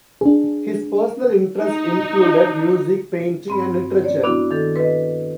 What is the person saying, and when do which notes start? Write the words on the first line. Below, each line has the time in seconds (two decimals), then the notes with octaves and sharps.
His personal interests included music, painting and literature.
0.21 D4 G#4
1.61 D#4
3.48 G2 C4 B5
4.04 C#5 D5
4.23 B3 D4 E4 F#4
4.51 D#3 A4
4.76 B4 D#5